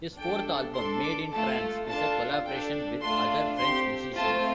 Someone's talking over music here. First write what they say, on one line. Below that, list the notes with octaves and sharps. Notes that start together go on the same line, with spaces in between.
His fourth album, "Made in Trance", is a collaboration with other French musicians.
D4 A4 G5
D4 A4 C6
D6
A3 F4 A4 A5
D4 F4 A4 A5
D4 A4 G5
A3 D4 F4 A4 C6
C4 G4 C6
A3 C4 F4 A5